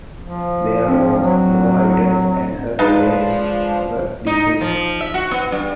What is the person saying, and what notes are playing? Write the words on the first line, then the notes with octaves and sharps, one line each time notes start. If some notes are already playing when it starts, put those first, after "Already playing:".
There was no evidence and her claims were dismissed.
F3
C4 D4
F#3
F3 G#3 D4 D#4 B4 F5 A5
D#4
F3
E5
F#4
B3
G2